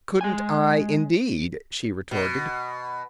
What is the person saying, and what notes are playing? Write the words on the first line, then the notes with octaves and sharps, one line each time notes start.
"Couldn't I, indeed," she retorted.
G#3 G#5
B2